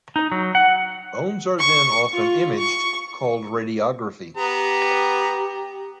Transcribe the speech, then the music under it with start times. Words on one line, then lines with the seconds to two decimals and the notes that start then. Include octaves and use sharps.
Bones are then often imaged, called radiography.
0.16 D#4
0.32 F#3
0.55 F#5
1.59 C#6
2.13 F4
2.59 C#6
4.37 B3 G4 A#5